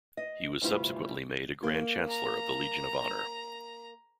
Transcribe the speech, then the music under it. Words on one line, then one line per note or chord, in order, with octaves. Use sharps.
He was subsequently made a Grand Chancellor of the Legion of Honour.
D#5
D2 G2 C3 G3 E4 F4
A#3
A#5